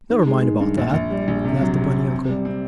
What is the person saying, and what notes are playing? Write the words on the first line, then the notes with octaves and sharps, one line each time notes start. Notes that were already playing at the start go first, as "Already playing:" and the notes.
"Never mind about that," laughed the bunny uncle.
D#3
G#3
D#3
G2
A#1
A#1
G3
A#1
C3
F#3
C3
C3
C4
G3
C4